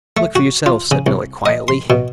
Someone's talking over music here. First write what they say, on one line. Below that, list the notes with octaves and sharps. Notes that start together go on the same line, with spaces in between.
"Look for yourselves," said Melick, quietly.
A3
F#4
F4
C#3
C2
D#5
C6
B2